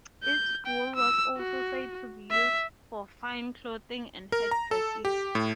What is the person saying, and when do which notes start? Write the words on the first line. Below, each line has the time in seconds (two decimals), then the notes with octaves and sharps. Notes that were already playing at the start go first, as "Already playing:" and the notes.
Its wool was also said to be used for fine clothing and headdresses.
0.24 G6
0.66 G5
0.96 E6
1.37 F#4
2.31 E5
4.32 A#4
4.51 A#5
4.71 A4
5.05 G4
5.35 A2